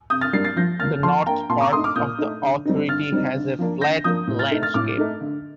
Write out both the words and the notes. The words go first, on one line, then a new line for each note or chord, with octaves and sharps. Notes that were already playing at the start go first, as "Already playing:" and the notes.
The north part of the authority has a flat landscape.
C3 D#6 G6
F6 A6
G3 A#3 D4 A6 C7
A6 C7
F3 G6 A#6
A#3 D4 F6 A6
F3 A5 C6
A#3 D4 G5 A#5
A#2 A5 C6
A#5 D6
A3 D#4 C6 D#6
D6 F6
A#2 D#6 G6
A3 D#4
D3
G3 C4 D#4
D3 F6 A6
G3 C4 D#4
D3
F3 A#3 D4
D3 G6 A#6
F3 A#3 D4 D#6 G6
A2
F6 A6
A3 D#4
F6 A6
A2 D6 F6
A3 D#4
D3